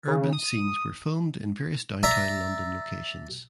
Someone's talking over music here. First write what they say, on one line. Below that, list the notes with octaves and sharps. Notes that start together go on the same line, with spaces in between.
Urban scenes were filmed in various downtown London locations.
C#3
D#6
D5 E5 A#5